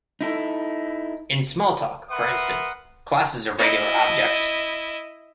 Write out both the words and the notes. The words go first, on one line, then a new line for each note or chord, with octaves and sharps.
In Smalltalk, for instance, classes are regular objects.
D#4 E4 A4
A#4 B4 E5 F#5 C6 D#6
E4 D#5